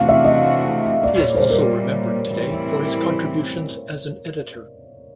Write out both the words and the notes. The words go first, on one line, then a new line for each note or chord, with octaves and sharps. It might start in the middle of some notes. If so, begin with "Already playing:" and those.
He is also remembered today for his contributions as an editor.
Already playing: C3 E3 A3 D4 F#4 F5
E5
D#5
A#2 G3 A#3 D5
C#5
C5
A#4
A2 E3 G3 C4 E4